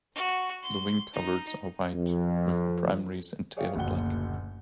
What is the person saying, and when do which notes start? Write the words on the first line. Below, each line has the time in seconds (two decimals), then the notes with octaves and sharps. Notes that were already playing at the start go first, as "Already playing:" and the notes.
The wing coverts are white with the primaries and tail black.
0.16 F#4
0.63 C6
1.13 D#4
1.94 F2
3.57 G#4 C#5 D5 E5 F5 G5
3.76 F#1 D2 A#2 F#4 F#5 G7